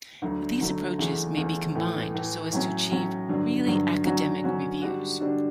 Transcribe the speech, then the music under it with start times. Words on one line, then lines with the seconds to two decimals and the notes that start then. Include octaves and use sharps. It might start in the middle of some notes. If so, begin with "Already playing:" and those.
These approaches may be combined so as to achieve really academic reviews.
0.22 D2 D3 F#3 A3
0.61 D2 D3 F#3 A3
0.99 E2 C#3 E3 A3
1.37 E2 C#3 E3 A3
1.75 A2 E3 A3
2.14 A2 E3 A3
2.52 A2 F#3 C#4
2.91 A2 F#3 C#4
3.29 G2 D3 F#3
3.67 G2 D3 F#3
4.05 D3 F#3 C#4 F#4
4.44 D3 F#3 C#4 F#4
4.82 D3 G3 D4 F#4
5.20 D3 G3 D4 F#4